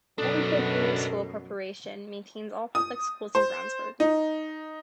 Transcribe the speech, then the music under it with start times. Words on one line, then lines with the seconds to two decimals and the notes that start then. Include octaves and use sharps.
Brownsburg Community School Corporation maintains all public schools in Brownsburg.
0.18 F#2 B2 F#3 B3 D4 A4
2.75 D#6
3.35 C5
4.00 D#4